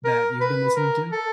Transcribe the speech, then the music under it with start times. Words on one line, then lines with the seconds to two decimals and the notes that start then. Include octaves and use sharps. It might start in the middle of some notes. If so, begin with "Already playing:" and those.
that you've been listening to?
0.05 A#4
0.41 B4
0.76 A#4
1.12 A4